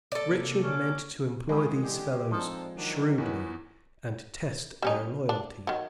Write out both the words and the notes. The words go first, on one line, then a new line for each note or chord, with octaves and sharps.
Richard meant to employ these fellows shrewdly and test their loyalty.
C3 A#3 A4 D5
C#4 D6
E3 G#3 C#4 F4 G4 D#6
D3 G4
F3 C4 D4 D#4 A4
D#3 F#3 D4
E2 E3 B3 C#4 B4
G3 C#4 D#4
D4
D#3 F#3